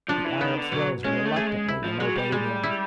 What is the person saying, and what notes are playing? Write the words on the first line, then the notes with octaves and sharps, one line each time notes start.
The Arabs rose reluctantly and obeyed him.
F3 D4
E3
D#3 B3
D3
B2 F#3
G#3 C#4
A3
G#4
G#3
E4
F3
F#3 G#3
G3
G3 G#3
E4